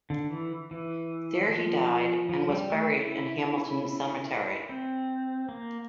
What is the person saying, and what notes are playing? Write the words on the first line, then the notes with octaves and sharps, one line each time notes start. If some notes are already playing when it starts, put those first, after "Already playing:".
There he died and was buried in Hamilton cemetery.
D3
E3
E3
F3
F3
G3
A3
E4
C4
A#3